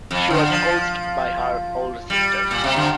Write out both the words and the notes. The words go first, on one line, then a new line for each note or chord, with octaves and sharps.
She was coached by her older sisters.
F2
D3
F3
G3
A#2
C3
D3